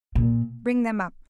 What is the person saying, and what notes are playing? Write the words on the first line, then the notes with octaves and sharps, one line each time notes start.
Bring them up.
A#2